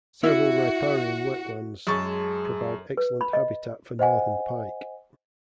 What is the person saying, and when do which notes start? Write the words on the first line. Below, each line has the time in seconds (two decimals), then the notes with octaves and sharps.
Several riparian wetlands provide excellent habitat for northern pike.
0.23 E4 F#4
1.87 F#2 G#3 A5 C#6
2.97 B4
3.21 B5
3.33 D#5
3.99 C5 D#5 F#5 G#5